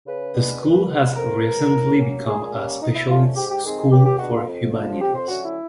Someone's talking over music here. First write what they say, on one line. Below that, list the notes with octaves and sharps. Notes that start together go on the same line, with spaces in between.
The school has recently become a specialist school for humanities.
C#3 B4
E3 G#3 B3 D4
A#2
F3 G#3 B3
F2 A#4
C#3 E3
A2
F#3 A#3 C#4
A#2 G#4
G3 A#3 C#4
D2 D#4
E4
D3 F3 A3 C#4 F4
G#2 G4
G4
D#3 G#3 C4 D#4 G#4
G#4
C#2 G4
G4
B2 G#3 B3 D4 F#4
F4
F2
D3 F3
F2 G4
C5
D3 F#3 A3 C#4 F#4
E4